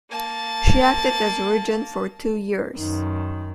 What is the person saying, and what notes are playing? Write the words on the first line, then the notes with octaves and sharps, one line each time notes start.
She acted as regent for two years.
A#3 A5
F#2 D#3